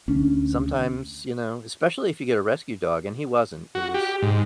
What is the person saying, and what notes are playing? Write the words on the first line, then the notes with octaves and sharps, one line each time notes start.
sometimes, you know especially if you get a rescue dog, and he wasn't. He was
D2 C#4 D4
F#4
G4
G#2